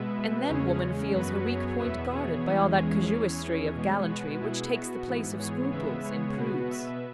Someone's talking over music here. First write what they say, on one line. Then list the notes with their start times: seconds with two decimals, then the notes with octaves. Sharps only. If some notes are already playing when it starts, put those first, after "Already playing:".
And then woman feels her weak point guarded by all that casuistry of gallantry which takes the place of scruples in prudes.
Already playing: B2 G#3 B3 B4 E5
0.48 E2 C#3 G#3 C#4 G#4 C#5
1.13 F#2 F#3 B3 F#4 B4
1.46 G#4 C#5
1.79 E2 B2 B3 B4 E5
2.12 G#4 C#5
2.44 E2 E3 G#3 C#4
2.77 G#4 C#5
3.09 E2 E3 C#4 G#4 C#5
3.75 B2 G#3 B3
4.08 F#4 B4
4.40 B2 B3 E4 G#4
4.73 F#4
5.07 G#2 E3 B3
5.39 G#4 C#5
5.72 C#3 G#3 B3 B4 E5
6.05 G#4 C#5
6.36 B2 B3 F#4 B4
6.70 B4 E5